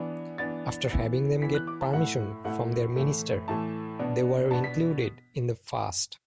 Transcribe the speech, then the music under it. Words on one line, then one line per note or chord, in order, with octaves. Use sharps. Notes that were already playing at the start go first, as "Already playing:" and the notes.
After having them get permission from their minister they were included in the fast.
Already playing: E3 B3 D4
E3 B3 D4 A6
E3 B3 E4
E3 B3 E4 B6
F#6
D6
A5
A2 A3 E4 F#5
A2 A3 E4 F#5
A2 E3 A3
A2 E3 A3 A5
B2 B3 D4
B2 B3 D4 A5
B6